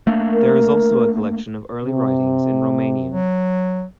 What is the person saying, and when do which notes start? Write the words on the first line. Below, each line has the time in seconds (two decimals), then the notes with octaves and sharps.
There is also a collection of early writings in Romanian.
0.07 A3 A#3 D4
0.33 A#4
1.85 C3
3.09 F#3